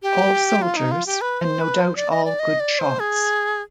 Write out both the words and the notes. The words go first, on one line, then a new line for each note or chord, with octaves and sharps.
All soldiers, and no doubt all good shots.
G4
F4
D#4
F4
G4
B4
C5
B4
C5
D5
D#5
D5
D#5
D5
C5
G#4